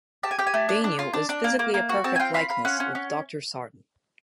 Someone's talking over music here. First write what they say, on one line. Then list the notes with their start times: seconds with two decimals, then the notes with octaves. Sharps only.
Daneel is physically a perfect likeness of Doctor Sarton.
0.23 G4 A5
0.31 G#5
0.39 G4 G5
0.47 G#5
0.54 A3
0.69 D4
0.84 D4
0.99 F4
1.13 D4
1.29 D4
1.44 A#3
1.59 A#3
1.74 A#3
1.89 F#4
2.04 C4 A5
2.16 G#5
2.20 F4 G5
2.34 F4 B5
2.50 F4 B5
2.65 C#4 F#5
2.80 C#4
2.95 C#4